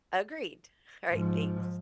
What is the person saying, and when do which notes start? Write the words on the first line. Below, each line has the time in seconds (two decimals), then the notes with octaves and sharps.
Agreed. Alright, thanks.
1.11 G#2 F3